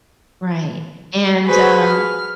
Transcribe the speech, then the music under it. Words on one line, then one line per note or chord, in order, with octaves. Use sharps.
Right. And, um,
F#4 G#4 B4 C5
F6